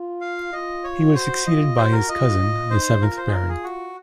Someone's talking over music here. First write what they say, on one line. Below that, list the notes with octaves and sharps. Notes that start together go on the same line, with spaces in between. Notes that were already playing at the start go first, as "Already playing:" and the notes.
He was succeeded by his cousin, the seventh Baron.
Already playing: F4
F5
F4 D#5
C#5
F#4 C5
F4 D#5
F#4 C5
A#4
F4 D#5
F4
D#4 C5
F4 A#4
C5
G#4
A#4
G#4
F#4